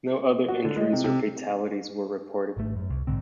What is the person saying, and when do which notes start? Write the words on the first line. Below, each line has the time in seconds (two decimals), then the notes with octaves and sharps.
No other injuries or fatalities were reported.
0.48 F#4
0.65 D3
0.76 G#3
0.93 C3
1.04 C3
2.57 G#1 A3
2.76 F#2
2.90 C2
3.07 A#1 G#2 D3 C4